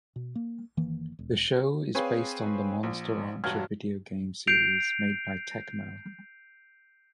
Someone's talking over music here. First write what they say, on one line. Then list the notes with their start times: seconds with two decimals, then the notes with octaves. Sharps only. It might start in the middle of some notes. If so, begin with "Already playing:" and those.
The show is based on the "Monster Rancher" video game series made by Tecmo.
0.16 B2
0.35 A#3
0.77 F#1 D#3 E3 A#3
1.19 E1
1.95 C4 G#4 B4 C#5 F5 G#5
2.83 A#1
3.44 E1 G2 F#4 F6 G#6
4.47 G6 C7 D7 F7